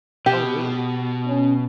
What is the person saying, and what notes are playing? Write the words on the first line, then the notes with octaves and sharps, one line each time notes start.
Oh, really?
B2 G4
C#4